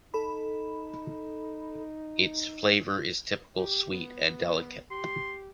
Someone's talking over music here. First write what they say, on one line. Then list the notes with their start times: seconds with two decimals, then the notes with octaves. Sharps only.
Its flavor is typical, sweet and delicate.
0.14 D#4 A4 B5
3.57 G4
3.91 B3
4.91 G4 C6